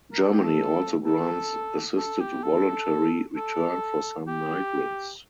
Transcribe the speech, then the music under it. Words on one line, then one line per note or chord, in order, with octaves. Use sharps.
Germany also grants assisted voluntary return for some migrants.
A#4
A4
G4
A4
A4
A4
G4
A4
A4
G4